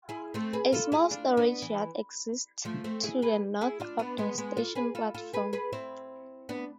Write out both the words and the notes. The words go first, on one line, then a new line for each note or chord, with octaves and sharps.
A small storage yard exists to the north of the station platform.
E4 G#4
A3 C4
G#4 B4
F4 A4
E4 G#4
D4 F4
B3 D4
E3
F3 A3
A3 C4
E4 G#4
G#4 B4
E4 G#4
D4 F4
B3 D4
G#3 B3
G#3 B3
F4 A4
G#4 B4
F4 A4
F4 A4
G#4 B4
G#4 B4
C4 E4
B3 D4